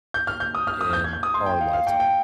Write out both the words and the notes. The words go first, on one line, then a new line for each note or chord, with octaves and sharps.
in our lifetime?
G6
F6
G6
D#6
F6
D#6
F6
G6
G#6
G6
D#6
C6
G5
F5
F5
G5
G5